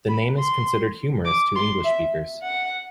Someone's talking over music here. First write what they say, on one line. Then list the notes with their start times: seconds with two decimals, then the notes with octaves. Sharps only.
The name is considered humorous to English speakers.
0.09 B5
0.39 C6
1.25 D6
1.55 C6
1.84 E5
2.42 F#5